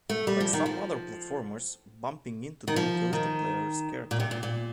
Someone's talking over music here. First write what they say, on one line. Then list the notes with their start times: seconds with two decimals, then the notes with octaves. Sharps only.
Like some other platformers, bumping into them kills the player's character.
0.09 A3
0.27 G3
0.40 F3
0.53 D#3
0.66 F3
2.67 D#3
2.76 F3
3.13 D#3
4.11 A#2
4.20 C3
4.31 A#2
4.43 A#2